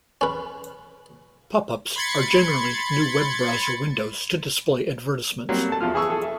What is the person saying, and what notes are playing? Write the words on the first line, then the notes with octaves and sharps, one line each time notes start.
Pop-ups are generally new web browser windows to display advertisements.
C#4 B4
B5 C6 G#6 A6 C#7
F#3 G3 A#3 C4
A4 A5
E2 F3 F4 F6
E3 G#4 G#5 C#6 E6
G#4 A4
E5